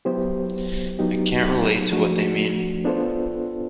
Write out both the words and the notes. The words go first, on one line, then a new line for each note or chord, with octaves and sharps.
I can't relate to what they mean.
F#3 B3 E4 G4 C5
F#3 B3 D#4 G4
F3 A3 D4 F#4
B3 D4 F4 A4 C5